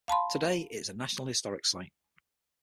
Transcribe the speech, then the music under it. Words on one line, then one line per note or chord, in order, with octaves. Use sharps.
Today it is a national historic site.
F5 A5 B5 C6